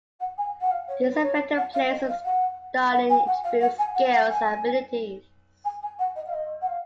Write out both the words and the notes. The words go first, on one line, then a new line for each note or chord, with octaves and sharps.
These affect the player's starting attributes, skills, and abilities.
F#5
G#5
F#5
F5
C#5
B4
C#5
F#5
F5
D#5
F5
F#5
F#5
G#5
F#5
F5
F#5
G#5
F#5
F#5
G#5
G#5
G#5
F#5
D#5
F5
D#5
F#5
F5